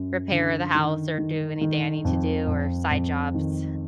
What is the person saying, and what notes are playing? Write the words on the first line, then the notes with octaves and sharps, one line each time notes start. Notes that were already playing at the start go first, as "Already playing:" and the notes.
repair the house or do anything I need to do or side jobs.
Already playing: F#2
D3
D#3
D#3
D#3
F2
F2
F2
D#3